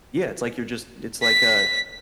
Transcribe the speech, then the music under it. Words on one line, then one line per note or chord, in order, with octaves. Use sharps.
Yeah, it's like you're just it's like a
B6